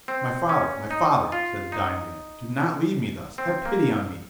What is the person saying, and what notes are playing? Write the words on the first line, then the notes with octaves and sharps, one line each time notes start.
"My father, my father," said the dying man, "do not leave me thus: have pity on me!"
C4
C#4
D#4
F4
D#4
C4
A#3